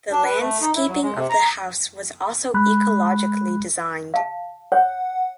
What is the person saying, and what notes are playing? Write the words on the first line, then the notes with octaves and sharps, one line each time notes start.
The landscaping of the house was also ecologically designed.
D4
B4
A3
D#4
E4
F#3
G#3
C3
A#5
G#3 B5 F#6
F5 A5
C#5 F#5